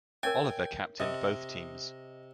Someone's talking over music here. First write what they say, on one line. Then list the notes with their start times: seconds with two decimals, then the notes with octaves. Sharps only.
Oliver captained both teams.
0.23 A#4 C#5 E5 G5 G#5
1.00 C3 D#5 E5